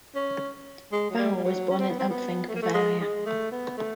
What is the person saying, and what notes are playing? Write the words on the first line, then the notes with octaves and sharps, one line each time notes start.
Baur was born in Ampfing, Bavaria.
C#4
G#3
F#3
G3
G3
F#3
C#4
C4
B3
C4
B3
A3
A#3
A3
G#3
G#3
A3
B3
A3